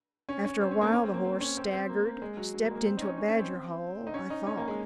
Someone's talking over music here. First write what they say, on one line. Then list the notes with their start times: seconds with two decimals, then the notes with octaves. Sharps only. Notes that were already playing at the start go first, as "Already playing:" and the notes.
After a while the horse staggered,--stepped into a badger hole, I thought.
0.29 C#4
0.45 C#4
0.61 C4
0.71 C#4
0.81 A#3
0.92 C#4
1.03 C4
1.14 A#3
1.24 C4
1.41 C#4
1.57 C4
1.73 C4
1.89 A#3
2.05 A#3
2.22 G#3
2.37 F#3
2.54 F#3
2.64 A#3
2.71 G#3
2.75 A#3
2.86 C4
2.97 D#4
3.01 C#4
3.17 C#4
3.28 C#4
3.39 C4
4.07 D#4
4.14 C#4
4.30 D#4
4.47 C#4
4.57 A#3
4.68 G#3